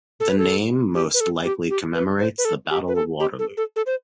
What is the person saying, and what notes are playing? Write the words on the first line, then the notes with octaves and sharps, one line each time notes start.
The name most likely commemorates the Battle of Waterloo.
A4
B4
A4
G4
B4
A4
G4
G4
B4
C5
B4
A4
G4
B4
A4
G4
A4
A4
A4
C5